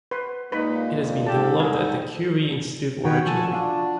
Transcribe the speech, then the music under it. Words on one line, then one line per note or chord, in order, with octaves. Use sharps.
It has been developed at the Curie institute originally.
B4 C6
A#2 G#3 A#3 D#4 B4 B5
F2
G#2 C3 F4 G4 A4 A5
E2 G3 G#4 A#4
D#3 D#4 F#4 B4 C#5 G5
F3 A4 G#5 A5
D4 F4